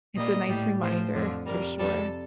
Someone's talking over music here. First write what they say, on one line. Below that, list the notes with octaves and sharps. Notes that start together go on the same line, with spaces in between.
it's a nice reminder, for sure,
A#2 G3 D#5
A2 G3
A2 F3 C5
F2 D3 F3
F2 C3 G3 A#4
F2 C3 G3 A4